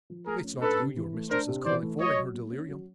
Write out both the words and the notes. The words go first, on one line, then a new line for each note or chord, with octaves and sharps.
It's not you your mistress is calling for in her delirium.
F3
A3 G#4 A#4
C#4
D4 A4 B4
C3
E3
A3
D4 A#4 C5
C3
E3 C5 D5
A3
F#3 C#5 D#5
F#3
A#3
C#4
F#3